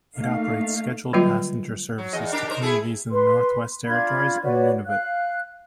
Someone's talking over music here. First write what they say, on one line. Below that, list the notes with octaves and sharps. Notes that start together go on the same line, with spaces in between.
It operates scheduled passenger services to communities in the Northwest Territories and Nunavut.
A3 A#3 D#4 F5
D3 F#3 G3 A#3 F4 D#5
F#3
E2 D#5
D4 G4 A#4
D#4 A#4 C5
E4 G#4 A4
B4 C6
D4 F4 B5 G#6
F#4 B4 C#5 D5
F5 F#6